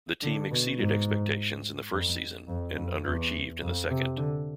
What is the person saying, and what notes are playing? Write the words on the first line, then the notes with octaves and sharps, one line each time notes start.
The team exceeded expectations in the first season and underachieved in the second.
D3
B2
G#2
F2
F2
F2
E2
F2
C3
D3